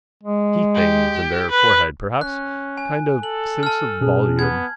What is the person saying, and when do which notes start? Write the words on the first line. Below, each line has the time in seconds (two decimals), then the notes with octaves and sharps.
See things in their forehead perhaps: kind of sense of volume.
0.24 G#3
0.75 G4
1.51 B4
2.21 C#4 F#6
2.77 G#5
3.23 A4 F#7
3.63 A5 F6
4.01 B2 C#4 G#4
4.39 B3 G#6